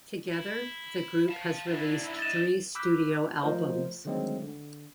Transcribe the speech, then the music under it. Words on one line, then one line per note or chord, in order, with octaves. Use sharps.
Together the group has released three studio albums.
E4
F5 A5
G#2 D4 E4
D4 D#5 A6 E7
B5 D6 E6 F#6 G6 B6
F3 A3 F4 A#4 C5 D#5
D3 D#3 F#3 G#3 A3 C4
D3